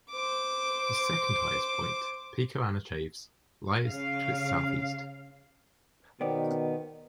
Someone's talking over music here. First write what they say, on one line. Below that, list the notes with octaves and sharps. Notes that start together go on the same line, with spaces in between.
The second highest point, Pico Ana Chaves, lies to its south east.
C5 D6
C#3 F5
B2 D#3 B3 C5 D5 G5